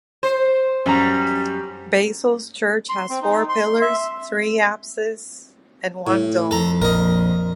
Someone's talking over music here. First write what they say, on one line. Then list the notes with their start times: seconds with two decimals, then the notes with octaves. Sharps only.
Basil's Church has four pillars, three apses and one dome.
0.23 C5
0.86 F#2 G3 A#5
2.89 C6
3.10 C4
3.22 D#4
3.49 C6
3.82 E5
6.07 A2
6.51 F2 A4 A#5
6.82 A#1 A#4 D#5